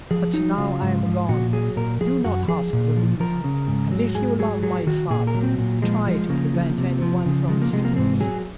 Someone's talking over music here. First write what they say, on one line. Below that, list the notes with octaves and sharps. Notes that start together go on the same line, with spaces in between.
But now I am gone. Do not ask the reason; and if you love my father, try to prevent any one from seeking me.
F3 G#4
F#3 D#4
C#3 F4
G#2
F3
A#2 F#4
F#3 G#4
A#2 A#4
F3 G#4
F#2 F#4
F3 G#4
A#2
F3
F3 A#4
C#3
G#2
F#3
G#2 G#4
F#3 G#4
F#3 G#4
D#3 F#4
A#2 G#4
A#4
F#3
C4
A#2
F3 G#3
F3 G#3
C#3 A#3
F3
C3
F3
C#3
F3 G#3
A#3
C3 G#3
A#3
G#2 C4
F#3 G#4